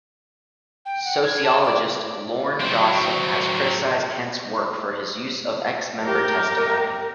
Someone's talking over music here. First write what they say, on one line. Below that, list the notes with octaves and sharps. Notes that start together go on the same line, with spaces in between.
Sociologist Lorne Dawson has criticized Kent's work for his use of ex-member testimony.
G5
F#5
G#6
A5
D5
F#3 C4
G4 A#4